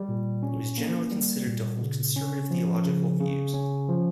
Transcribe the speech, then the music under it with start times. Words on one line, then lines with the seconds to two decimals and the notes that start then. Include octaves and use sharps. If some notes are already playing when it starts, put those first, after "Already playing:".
He was generally considered to hold conservative theological views.
Already playing: G3
0.09 A#2
0.43 C#4
0.78 A#3
1.11 G3
1.46 A#2
1.81 C#3
2.16 C#4
2.51 F3
2.85 C#3
3.20 C#3
3.54 C#4
3.89 F3